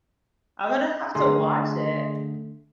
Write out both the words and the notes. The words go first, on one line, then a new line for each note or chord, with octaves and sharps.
I'm gonna have to watch it.
D3 A3 G#4 A#5 C6